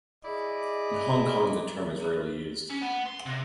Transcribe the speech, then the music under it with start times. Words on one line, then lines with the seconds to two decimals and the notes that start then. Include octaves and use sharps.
In Hong Kong the term is rarely used.
0.25 E4 G#4 D5 D#5
2.70 C#4
2.82 B3
3.06 C6
3.26 C3